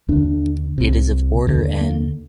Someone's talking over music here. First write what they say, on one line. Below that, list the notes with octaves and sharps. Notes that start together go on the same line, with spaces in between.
It is of order "n".
D#2 D3 D4
C2 C3
D#2 D3
A#3